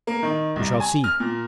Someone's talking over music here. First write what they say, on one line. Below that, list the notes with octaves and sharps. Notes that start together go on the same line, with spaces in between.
We shall see.
A#3
D#3
C2
G#5
F6
A#2